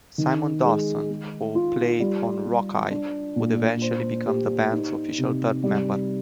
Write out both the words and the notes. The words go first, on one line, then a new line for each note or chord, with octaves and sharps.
Simon Dawson, who played on "Rockeye", would eventually become the band's official third member.
D#3
G#3
G#3
F4
G3
G3
D4
A#2
C5
G4
D#4
C3
G3